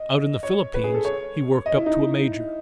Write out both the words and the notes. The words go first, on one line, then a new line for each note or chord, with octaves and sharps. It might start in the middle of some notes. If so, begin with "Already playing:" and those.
Out in the Philippines he worked up to a Major.
Already playing: D#5
C#5
B4
G#4
A4
C#5
D#5
E4
D#4